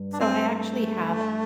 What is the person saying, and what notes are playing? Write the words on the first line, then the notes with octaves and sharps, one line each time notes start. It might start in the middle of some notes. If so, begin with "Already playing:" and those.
So I actually have
Already playing: G2
D4
C4
A3